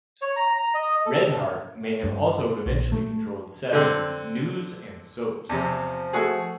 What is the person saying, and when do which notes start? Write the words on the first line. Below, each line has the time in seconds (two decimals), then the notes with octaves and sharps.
Red Heart may have also eventually controlled Seven's news and soaps.
0.22 C#5
0.36 A#5
0.57 A#5
0.74 D#5
1.06 A4
2.03 G2
2.66 A#1
2.92 A3
3.73 D3 C4
5.49 E2 C3 F3
6.13 A3 F#4 G#4